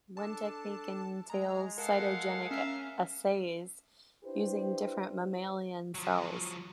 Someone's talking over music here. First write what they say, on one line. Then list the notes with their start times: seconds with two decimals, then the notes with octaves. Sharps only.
One technique entails cytogenetic assays using different mammalian cells.
0.17 D4 A4 A5
1.30 G#3 A#5
1.78 A4 A#4 F5 F#5
2.51 C#4 A#4 E5 F5
4.24 D4 E4 G4 B4 C5
5.95 F3 F#3